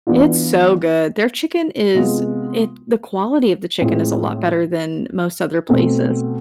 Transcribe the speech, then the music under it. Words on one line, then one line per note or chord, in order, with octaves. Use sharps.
It's so good. Their chicken is it the quality of the chicken is a lot better than most other places.
E3 B3 D4 F4
C3 G#3 B3 F4
A2 G#3 C4 F4
B2 A3 C4